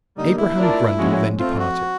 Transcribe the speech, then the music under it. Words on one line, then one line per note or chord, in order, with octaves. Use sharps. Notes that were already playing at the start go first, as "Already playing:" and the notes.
Abraham Grundle then departed.
D3 G3 A#3 D#4
E4
A3 D4 F4 A#4 D5
A#2 F3 G#3 C#4 F#4
F3 A3 C4 F4
F#4